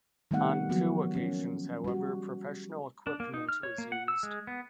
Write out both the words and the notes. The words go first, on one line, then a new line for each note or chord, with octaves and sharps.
On two occasions, however, professional equipment was used.
D#3 G3 A3 B3 F5 F#5
F3 F#3 A#3 B3 F#4
A#3 C#4
G3 F#4
D4
A#3
D#4
F6
C#5
A#3
F#5
E6
G#3
B3